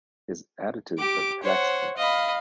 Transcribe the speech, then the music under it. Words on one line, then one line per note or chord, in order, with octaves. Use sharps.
His attitude perplexed me.
G4 D6
C5 C#5 F#5
D#5 F5 B5